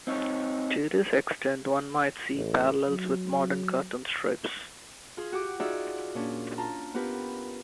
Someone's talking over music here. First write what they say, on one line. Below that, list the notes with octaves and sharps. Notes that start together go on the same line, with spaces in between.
To this extent one might see parallels with modern cartoon strips.
C4 D#4 C#5
A1
F#3
F4 G#4
F#4 G4 D6
D#4 F4 F#4 G#4 D5 E5
A#2 C#4 D4
F4 A5 A#5
B3 F4 G4 A#4 B4